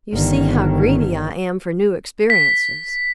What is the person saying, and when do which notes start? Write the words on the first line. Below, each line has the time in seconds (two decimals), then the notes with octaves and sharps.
You see how greedy I am for new experiences!
0.13 G1 D#3
2.30 B6